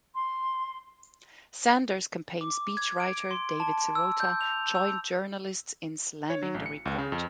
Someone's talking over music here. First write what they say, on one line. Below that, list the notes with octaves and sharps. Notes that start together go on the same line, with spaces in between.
Sanders campaign speechwriter David Sirota joined journalists in slamming the report.
C6
D6
G#6
D7
C6
A5
E6
G6
F7
E6
C#5
F#3
A1
C#7
C#2
C#3
F2